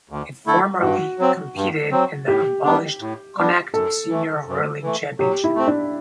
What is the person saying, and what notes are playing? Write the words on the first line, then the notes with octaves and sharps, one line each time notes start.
It formerly competed in the abolished Connacht Senior Hurling Championship.
D2
D3 A3 E4 A4
G2 F#4
F#3 C4
G2
F#3 C4
A2 G4
G3 B3 D4
A2
G3 B3 D4
F#2 A4
E3 A3
F#2
E3 A3
F#3 G4
E4
A3 C4
D4